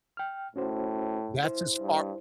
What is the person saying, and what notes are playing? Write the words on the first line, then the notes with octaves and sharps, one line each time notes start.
That's as far
G5 F6
A2 C#4 F#4 C5
E4 C5
G2